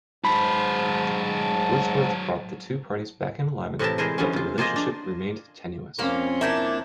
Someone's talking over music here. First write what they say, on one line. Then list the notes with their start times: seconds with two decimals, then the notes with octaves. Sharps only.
Woodsworth brought the two parties back in alignment, but their relationship remained tenuous.
0.25 G#2 F#3 C5 A5 B5
3.79 A2 C3 E3 A#4 A5
3.98 E3 G#3 G#4 A#4 C5
4.18 D3 F3 G3 G#3 C#4
4.33 C3 F4
4.58 A#3 F4 G#4 C5 D#5
4.76 D4
5.99 F2 A#3 C4 C#4 F5
6.41 A#3 D4 E4 E5 G6 G#6